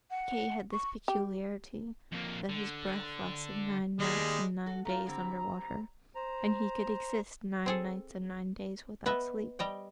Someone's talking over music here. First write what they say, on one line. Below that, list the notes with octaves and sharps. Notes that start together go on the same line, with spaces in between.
Kay had this peculiarity, that his breath lasted nine nights and nine days under water, and he could exist nine nights and nine days without sleep.
F#5
C#6
G4
F2 A#3
D3
D#2 G3 G#3
F#4 A4
A3 F4 A#5
D3 G3 C4
C5 A#5
C4 G#4 A4
B3 B4 D#5 E5
G3 D#5 G5